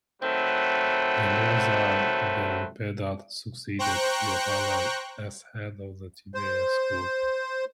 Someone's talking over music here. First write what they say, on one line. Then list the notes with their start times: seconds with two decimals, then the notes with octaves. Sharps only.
Eleazar ben Pedat succeeded Yohanan as head of the Tiberias school.
0.23 D#3 F#3 A3 C4 F#4 B4
3.79 C5 G5 A#5 C#6 F#6
6.35 C5